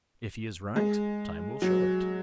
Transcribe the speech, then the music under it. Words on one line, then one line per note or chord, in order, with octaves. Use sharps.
If he is right, time will show it.
G#3
F#3